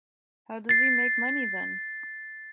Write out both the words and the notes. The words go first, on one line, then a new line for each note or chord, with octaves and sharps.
How does he make money then?
A6 C7